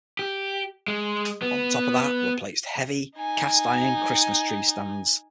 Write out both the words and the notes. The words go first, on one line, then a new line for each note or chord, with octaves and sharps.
On top of that were placed heavy cast iron Christmas tree stands.
G4
G#3
B3
D#4 G#5